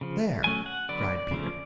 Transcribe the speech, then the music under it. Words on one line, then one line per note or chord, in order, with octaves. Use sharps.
"There!" cried Peter.
C#3 F3
F#3 A3 C#4 G#5
F#5
D3 F#3 B3 D5
C#3 F3 A3 C#4